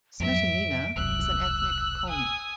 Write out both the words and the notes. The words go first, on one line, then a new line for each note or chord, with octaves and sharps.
Smetanina is an ethnic Komi.
F2 G#2 F#3 E5 D7
E1 C2 F#2 E6 F#6
G#5 D#6